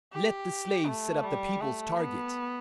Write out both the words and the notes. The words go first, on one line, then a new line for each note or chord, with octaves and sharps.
Let the slaves set up the people's target.
G4
A3
G3
A3
B3